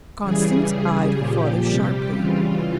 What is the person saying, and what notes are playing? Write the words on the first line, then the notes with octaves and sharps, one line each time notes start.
Constance eyed her father sharply.
C#3 E3 G3 G#4
C#3 G3
A#2 F3 G4
C3 G3
C#3 E3 G3 F4